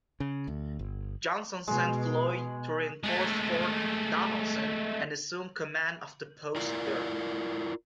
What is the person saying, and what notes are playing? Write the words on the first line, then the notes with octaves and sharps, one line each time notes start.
Johnston sent Floyd to reinforce Fort Donelson and assume command of the post there.
C#3
D2
G1
B2 G#3
G#3 A3
E4 F4 A#4 D5